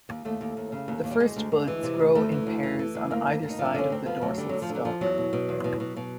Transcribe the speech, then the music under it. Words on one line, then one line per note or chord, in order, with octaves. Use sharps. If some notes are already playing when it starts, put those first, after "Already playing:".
The first buds grow in pairs on either side of the dorsal stalk.
D#2
D#2 A3
D#2
D#2
C#3
D#2
D#2
G3
D2 G#3
D2
D2
E3
C3
D2
D2 A3
E3
D2
E3
E3
D2
D2 A#3
D2
D2
D#4
F3
D4
D3 C#4
D2 C4
F3 B3
D2 F#3
D3 G3
D2 F#3
F3
D3
F#3
F3
E2 F#3
B2
B2
E2
B2
B2
B2